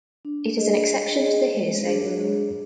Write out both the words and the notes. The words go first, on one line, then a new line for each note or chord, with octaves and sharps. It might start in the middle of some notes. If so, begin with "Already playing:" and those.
It is an exception to the hearsay rule.
D4
G#4 D#5
D4
G#4 D#5
G#3
D4 G#4
G#3
D4